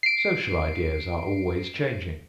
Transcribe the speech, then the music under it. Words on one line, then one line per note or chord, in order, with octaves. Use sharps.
Social ideas are always changing.
C7 D7